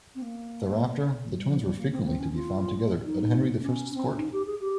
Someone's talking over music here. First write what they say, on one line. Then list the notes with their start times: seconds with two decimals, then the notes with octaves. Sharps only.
Thereafter the twins were frequently to be found together at Henry the First's court.
0.15 C4
0.22 A#3
1.36 G3
1.49 F3
1.63 G3
1.77 A#3
1.91 C4
2.01 A#3
2.06 C4
2.19 C#4
2.34 F4
3.04 D#4
3.61 C#4
3.94 C4
4.05 C#4
4.18 D#4
4.32 G4
4.46 G#4
4.60 G4